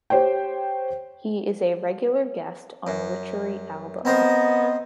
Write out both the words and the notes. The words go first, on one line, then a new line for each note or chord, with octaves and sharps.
He is a regular guest on Witchery albums.
G4 C5 C#5 G5
F#2
B3 C4 A#4 C5 D#5